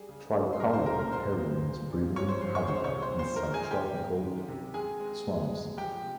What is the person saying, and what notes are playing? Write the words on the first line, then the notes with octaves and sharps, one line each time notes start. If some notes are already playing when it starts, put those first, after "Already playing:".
Tricolored heron's breeding habitat is sub-tropical swamps.
Already playing: G3 G#4
C#3
G#3
C6
G3 A#4 A#5
C5 C6
G3 A#4 A#5
A#4 A#5
G#3 C5 C6
G#3
A#2
A#2
C#3 C#5 C#6
C5 C6
F3 C5 C6
C#5 C#6
G#3 C5 C6
C#5 C#6
C3
C5 C6
A#2 C5 C6
A#4 A#5
G#3
G#4 G#5
G#3 G4 G5
C#3
D#3
C3
G#3 G#4 G#5
G#3
G#3
G#3
F3 G4 G5
C3